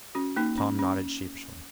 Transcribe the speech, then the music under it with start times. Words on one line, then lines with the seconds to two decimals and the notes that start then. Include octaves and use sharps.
Tom nodded sheepishly.
0.15 C#4 F#4
0.36 A#3 D#4
0.58 C#4
0.79 C#4